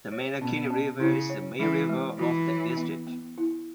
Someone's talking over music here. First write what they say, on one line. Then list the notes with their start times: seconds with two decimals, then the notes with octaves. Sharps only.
The Mandakini River is the main river of the district.
0.12 C#5
0.41 B2 C#4
0.70 C#4
1.00 C#3 E4
1.30 C#5
1.59 E3 G#3
1.89 G#3
2.19 E3 F#4
2.48 C#5
2.77 B3
3.07 B3
3.38 E4